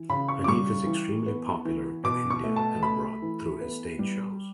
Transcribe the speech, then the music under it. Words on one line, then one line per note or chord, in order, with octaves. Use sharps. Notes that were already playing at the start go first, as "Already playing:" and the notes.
Haneef is extremely popular in India and abroad through his stage shows.
Already playing: E3
C#3 B5
C#6
D6
G3 C#6
E3
B3
E3
B2 D6
C#6
A3
A5
A3 B5
E3
B3
G3